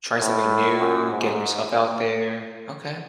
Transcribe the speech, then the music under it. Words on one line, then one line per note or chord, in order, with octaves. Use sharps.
trying something new, getting yourself out there. Okay.
A2
F#2
G#2